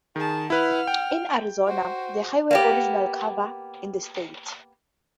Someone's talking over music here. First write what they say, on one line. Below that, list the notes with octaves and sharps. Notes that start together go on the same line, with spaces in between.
In Arizona, the highway originally covered in the state.
D#3 G#4 A5
E4 B4 F#5 F6
G5
F#4 C5
A#3 B3 G4